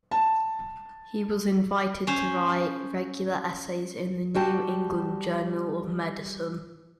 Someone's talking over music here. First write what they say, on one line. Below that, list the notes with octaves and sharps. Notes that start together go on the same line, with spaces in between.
He was invited to write regular essays in the "New England Journal of Medicine".
A5
C#4 C5
G3 F#4 G5 A5